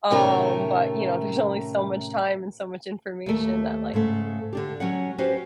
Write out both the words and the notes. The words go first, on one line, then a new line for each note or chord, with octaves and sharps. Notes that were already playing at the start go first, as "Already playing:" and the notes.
Um, but you know, there's only so much time and so much information that like
A2 C3 D#3 A3 C#4 A#4
D#2 A3
G#2 C#3 A3
D3 D4 G4
F#3 C#4 F#5
C#4 F#4 G4 B4 C5